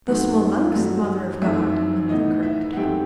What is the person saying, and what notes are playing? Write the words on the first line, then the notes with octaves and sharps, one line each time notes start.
"The Smolensk Mother of God," another corrected him.
F#2 D#3 A3 C4 F#4 F#5
G2 F#3 A3
F#2 D#3 A3 C4 E4 E5
A2 E3 B3 D#4 D#5
E4 E5
F#5
F#2 D#3 A3 C4 G4 G5